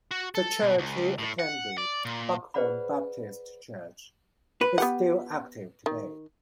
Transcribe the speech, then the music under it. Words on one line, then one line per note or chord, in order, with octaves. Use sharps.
The church he attended, Buckhorn Baptist Church, is still active today.
F#4
A4
B2
C#2
A2
F#5
D5
A#2
G#4 B4 C5 D5 F#5 B5
B4
B3 G4 F#5
D#3